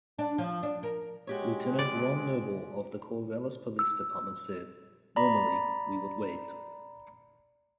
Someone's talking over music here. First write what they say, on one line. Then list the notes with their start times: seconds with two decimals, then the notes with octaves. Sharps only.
Lieutenant Ron Noble of the Corvallis Police Department said, Normally, we would wait.
0.19 D4
0.38 F3
0.63 D4
0.83 A#4
1.27 G#3 F#4 G4 C#5
1.79 D5
3.79 E6
5.16 D5 A#5 B5